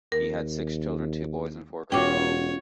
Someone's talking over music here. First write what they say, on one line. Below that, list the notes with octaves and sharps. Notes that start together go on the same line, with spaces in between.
He had six children: two boys and four girls.
D#2 A#4
E1 C#4 F4 F#4 C#5 G5 D6